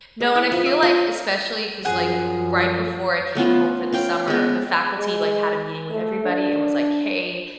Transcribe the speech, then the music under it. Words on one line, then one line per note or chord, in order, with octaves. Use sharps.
No, and I feel like, especially 'cause, like, right before I came home for the summer, the faculty, like, had a meeting with everybody and was, like, "Hey,
G#3
E4
F3
E5
F4
F#2 F3 G#4 F#5
A3 B3 C#4 F4
C#4 F5 G5
G#3 B3
G#3
A3
D4